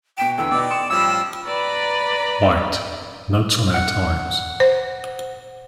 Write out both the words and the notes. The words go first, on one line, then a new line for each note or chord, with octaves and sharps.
White: Notes on our Times.
B2 G5 B6 D7 E7
E2 D3 E3 G5 E6
B2 B3 D#4 D5
C6 D#6 C#7 E7
A1 F3 G3 B5 E6
B4 D5 A#5 B5
F#5
C5